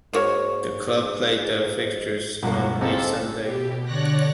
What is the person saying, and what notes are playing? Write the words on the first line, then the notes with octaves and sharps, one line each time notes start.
The club play their fixtures on a Sunday.
G#2 A#3 F#4 C#5
E1 C#2 G2 A#2 A#3 F#4
C#2 G#2 C3 C4 F4 A4 A#5
B2 G4
D3 C#5 D5 F#6 A#6